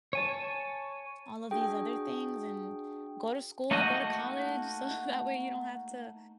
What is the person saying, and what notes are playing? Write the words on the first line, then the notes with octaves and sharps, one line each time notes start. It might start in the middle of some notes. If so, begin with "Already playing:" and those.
all of these other things, and go to school, go to college, so that way you don't have to
C#5 G#5 A5
D4 F#4 G#4 G5
A3 A#3 D#4 F#4 D#5